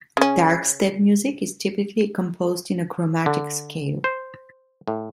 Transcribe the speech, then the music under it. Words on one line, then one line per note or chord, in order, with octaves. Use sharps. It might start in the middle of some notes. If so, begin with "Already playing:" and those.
Darkstep music is typically composed in a chromatic scale.
C#3 C#4
D3
C5
A2